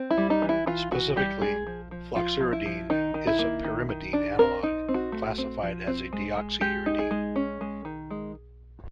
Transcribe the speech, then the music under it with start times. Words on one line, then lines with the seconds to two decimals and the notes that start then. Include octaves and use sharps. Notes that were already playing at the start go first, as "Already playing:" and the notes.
Specifically, floxuridine is a pyrimidine analog, classified as a deoxyuridine.
Already playing: C4
0.11 E4
0.17 G3
0.30 D#4
0.42 E3
0.49 E4
0.66 E3 F4
0.91 E3 F#4
1.16 G3 G4
1.41 G#3 G#4
1.67 F3
1.91 F3
2.15 F3 F4
2.41 F3
2.53 E4
2.66 F3
2.90 D#3 D#4
3.14 D#3
3.27 E4
3.39 A#3
3.64 D#3
3.89 D#3
4.13 D4
4.39 C4 A#4
4.63 D#4
4.89 C4
4.94 F#4
5.12 A3
5.38 C4
5.63 F3
5.87 C4
6.13 G#3
6.37 G#3
6.61 G#3 G4
6.86 D#4
6.99 G#4
7.11 G#3
7.36 C#4
7.61 G#3
7.85 D#3
8.11 G#3